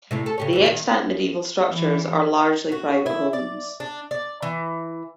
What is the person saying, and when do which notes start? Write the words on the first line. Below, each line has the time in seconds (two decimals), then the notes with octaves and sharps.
The extant medieval structures are largely private homes.
0.11 C3 A3 E4
0.26 A4
0.38 C#3 G4 C#5
0.53 D2 E3
0.66 D#3
1.70 E3
2.72 F#4
3.06 E4
3.33 D5
3.80 D4
4.11 D5
4.42 E3